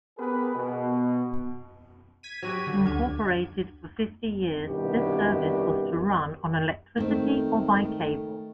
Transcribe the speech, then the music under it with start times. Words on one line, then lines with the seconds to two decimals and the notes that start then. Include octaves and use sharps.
Incorporated for fifty years, this service was to run on electricity or by cable.
0.17 B3 G4 G#4 A#4 B4
0.55 B2
2.23 G#6 B6 D#7
2.42 F#3 F#4 G4
2.67 D3
2.86 D2 D4 G#6
4.65 C2 G2 B2 D#3 G4
6.98 D#3 A3 C4
7.76 A3